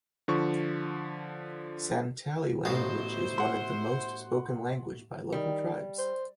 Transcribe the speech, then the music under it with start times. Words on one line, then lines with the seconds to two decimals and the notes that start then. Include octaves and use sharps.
Santali language is one of the most spoken language by local tribes.
0.28 D3 F3 C#6
2.65 A1 B2 E4 C5 F5
3.38 F#5 C6
5.32 D#3 G3
5.98 C5